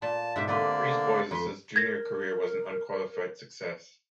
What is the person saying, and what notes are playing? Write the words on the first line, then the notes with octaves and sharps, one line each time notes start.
Brisebois's junior career was an unqualified success.
A#2 A5
G#2 B2 G4 E5
D3 A3 A#3 C4 B4 D5
F2 B5 C6
A#4 G#6 A#6